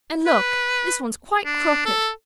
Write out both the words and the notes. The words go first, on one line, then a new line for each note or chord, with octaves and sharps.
And look, this one is quite crooked!
B4
D4
A4